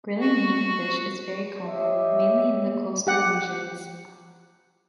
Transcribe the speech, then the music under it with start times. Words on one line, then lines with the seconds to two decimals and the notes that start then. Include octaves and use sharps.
Grilling meat and fish is very common, mainly in the coastal regions.
0.21 F#4
1.66 G4 C#5 D#5 E5
3.07 G4 F#5